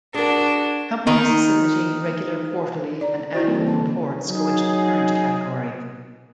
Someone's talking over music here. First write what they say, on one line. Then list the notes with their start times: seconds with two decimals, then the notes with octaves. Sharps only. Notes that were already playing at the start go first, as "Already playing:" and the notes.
Companies submitting regular Quarterly and Annual Reports go into the Current category.
0.14 D4 F#4 G#4 A#4
1.07 D#3 D#4
3.01 D5 A#5
3.34 E4 F#4 C5
3.47 E3 G3 A#3 C4 F#4 B4
3.67 A5
3.81 D3
4.27 F#3 D#4 G#4